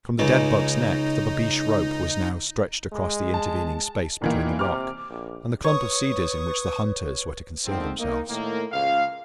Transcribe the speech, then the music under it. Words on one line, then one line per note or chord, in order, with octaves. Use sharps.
From the dead buck's neck the babeesh rope was now stretched across the intervening space between the rock and the clump of cedars in which the hunters were to conceal themselves.
C#2 D#4
G#3
A5
A#2 D#3 E3 A#3
C3 D6 F6
A#1
B4 C#5 C#6 D#6
G#2 D3 D#3 F3 C4
A#3 D#4
A2 D#3 A#3
C#2 F5